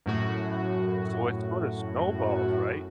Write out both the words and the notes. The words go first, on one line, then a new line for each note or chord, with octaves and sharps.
so it's sorta snowballs, right?
F#2 A2 F#4